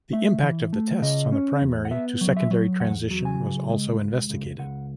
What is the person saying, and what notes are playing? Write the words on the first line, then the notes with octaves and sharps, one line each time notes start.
The impact of the tests on the primary to secondary transition was also investigated.
A3 E5
E3
A3
C#3 D#5
C#4
E2
F#5
B3 E5
F#3
E5
F#3
E2 F#5
F#3
G#5
C#3
G#3
C#2
C#2
C#2 F#5